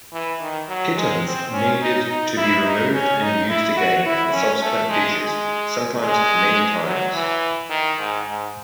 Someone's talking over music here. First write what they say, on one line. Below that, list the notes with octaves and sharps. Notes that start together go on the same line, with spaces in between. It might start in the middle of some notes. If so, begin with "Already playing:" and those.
Pitons needed to be removed and used again on subsequent pitches, sometimes many times.
E3
D#3
F#3
G#3
C4
C#4
D#4
D#4
E4
D#4
C#4
D#4
E4
F#4
E4
C#4
A3
G#3
G#3
G#3
F#3
E3
D#3
G#2
G#2